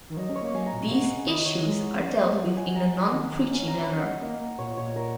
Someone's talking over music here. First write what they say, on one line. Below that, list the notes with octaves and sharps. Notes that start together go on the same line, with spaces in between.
These issues are dealt with in a non-preachy manner.
D#3
F#3 D#5
C#4
C#5
A#3
F#3 G#5
A#5
A#2
A#2
C#3 F#5
C#3
C#3
D#3 D#5
C#5
G#3
C#4
G#3
F#3 F#5
G#5
A#5
D#3
C#4
A#5
F#5
A#3 D#5
A#2 C#5
A#2 C#5
A#4